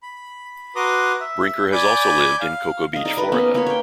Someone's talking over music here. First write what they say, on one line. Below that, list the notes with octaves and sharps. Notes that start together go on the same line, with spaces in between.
Brinker has also lived in Cocoa Beach, Florida.
B5
F#4 B4 A#5 C6 D6 D#6
E5
D5 G#5 B5 G6
F5
D#5 F5
D#4 D5
B4 D#5
A#3 B3 C#4
A#3 B4 C#5
C#5 G5